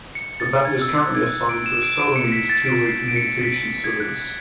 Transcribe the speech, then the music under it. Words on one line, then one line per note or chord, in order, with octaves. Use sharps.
This band is currently assigned to a seldom-used two-way communications service.
C#7
A6
G#6
E6
F#6
G#6
D7
E7
D7
D7
C#7
B6
A6
D7
D7
C#7
B6
G#6
F#6
F#6